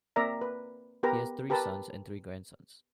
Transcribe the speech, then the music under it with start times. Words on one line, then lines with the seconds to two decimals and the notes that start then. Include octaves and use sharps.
He has three sons and three grandsons.
0.16 A#3 C4 A#4 D5 E5 A#5
0.41 B4
1.03 B3 G4 A#4 B4 A#5
1.50 G4 A#4 B4 A5